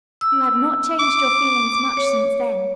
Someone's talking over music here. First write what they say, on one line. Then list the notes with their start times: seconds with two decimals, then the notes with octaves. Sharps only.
You have not changed your feelings much since then.'
0.21 E6
1.00 D6
1.97 C#5